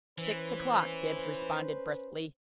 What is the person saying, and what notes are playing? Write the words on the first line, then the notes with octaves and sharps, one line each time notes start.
"Six o'clock," Bibbs responded, briskly.
E3 C#4 B4 C5